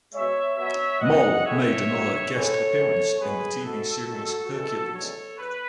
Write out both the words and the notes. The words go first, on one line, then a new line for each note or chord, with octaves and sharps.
Moll made another guest appearance in the TV series Hercules.
B2 G#3 C#5 E5
B2 F#3 C#5 E5
B2 G#3 D#5 F#5
A2 G#3 C#5 E5
G#2 D#3 F#3
A2 E3 G#3 A4 C#5
F#2 E3 G#3
B2 G#3 G#4 B4
G#2 E3 G#3 F#4 A4
F#2 D#3 G#3
F#2 E3 G#3 F#4 A4
E2 C#3 G#3 A4 C#5
E2 B4